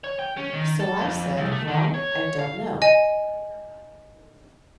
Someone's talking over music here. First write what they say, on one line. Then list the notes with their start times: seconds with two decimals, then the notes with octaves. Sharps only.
So I said, 'Well, I don't know.
0.04 C#5
0.19 G5
0.37 C#4
0.53 D#3
0.80 A4
1.00 F2
1.37 C2
1.52 A3
1.68 D#3
1.94 C#5
2.39 F5
2.82 D#5 G#5